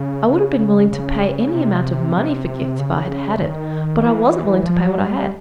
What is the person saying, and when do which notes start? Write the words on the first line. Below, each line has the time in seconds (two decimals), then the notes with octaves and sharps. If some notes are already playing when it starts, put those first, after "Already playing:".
I would have been willing to pay any amount of money for gifts if I had had it, but I wasn't willing to pay what I had.
Already playing: C#3
0.29 C#3
0.92 C#3
1.54 C3
2.17 C3
2.79 C#3
3.42 D#3
4.05 E3
4.66 F3
4.87 F#3
5.08 G3